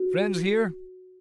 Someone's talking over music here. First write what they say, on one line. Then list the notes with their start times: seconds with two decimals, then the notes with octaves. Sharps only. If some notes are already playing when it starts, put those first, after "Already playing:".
Friends here.
Already playing: F#4